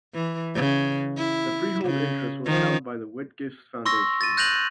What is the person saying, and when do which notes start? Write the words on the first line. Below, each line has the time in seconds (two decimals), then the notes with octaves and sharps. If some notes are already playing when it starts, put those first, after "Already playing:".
The freehold interest was held by the Whitgift Foundation.
0.14 E3
0.55 C#3
1.17 E4
1.84 C#3
2.46 D#3 F3
3.85 C6 C#6 E6 A#6
4.21 A6 D#7
4.37 F#6 G6 A#6 D#7 F7 F#7